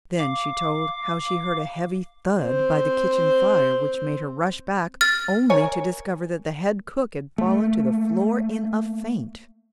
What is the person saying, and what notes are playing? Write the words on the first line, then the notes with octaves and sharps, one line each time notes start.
Then she told how she heard a heavy thud by the kitchen fire, which made her rush back, only to discover that the head cook had fallen to the floor in a faint!
F5 D6
C4 C5
F6 A6
A#4 C#5 G#5
A3 A#3